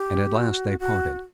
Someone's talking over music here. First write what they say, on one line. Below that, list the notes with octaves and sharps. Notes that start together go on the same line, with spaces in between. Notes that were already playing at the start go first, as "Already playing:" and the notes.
And at last they parted.
Already playing: G4
F#4
F#4